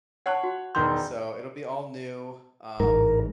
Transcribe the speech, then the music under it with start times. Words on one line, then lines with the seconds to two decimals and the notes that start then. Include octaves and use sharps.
So, it'll be all new, um
0.26 C#5 F#5 A5 F#6
0.43 F#4
0.75 E1 D#3 C6 G6
2.80 A1 G#2 A#4